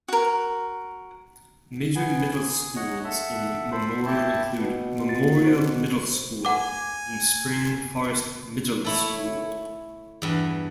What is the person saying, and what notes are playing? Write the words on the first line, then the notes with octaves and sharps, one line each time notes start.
Major middle schools in Memorial include Memorial Middle School and Spring Forest Middle School.
F#4 A#4
B3 G#5
G#4
C#5 D#5 F#5
A4 E5 F#5
A4 C5 B5
E4 G4 A5
B2 B3
A3 F4 A6
C5
F#5 G#5 D6
A3 E4 C#5
E2 G2